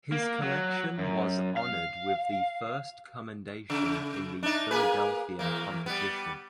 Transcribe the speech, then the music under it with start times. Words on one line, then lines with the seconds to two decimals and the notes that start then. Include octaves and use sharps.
His collection was honored with the first commendation in the Philadelphia competition.
0.12 A#3
0.42 F#3
0.98 F#2
1.57 F5
3.70 C#3
4.43 D4 D#4
4.71 A#3 G#4 B4
5.39 E2 A#3
5.86 G3 B3